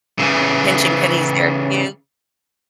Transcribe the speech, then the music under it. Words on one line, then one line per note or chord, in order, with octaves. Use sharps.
pinching pennies there too.
C#3 E3